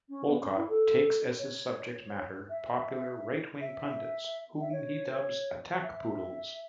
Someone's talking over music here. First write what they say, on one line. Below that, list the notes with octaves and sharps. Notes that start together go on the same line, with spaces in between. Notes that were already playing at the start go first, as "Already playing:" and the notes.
Wolcott takes as his subject matter popular right-wing pundits whom he dubs "attack poodles".
C#4
B3
C#4
E4
A4
C#5
E5
E5
E5
C#5
E5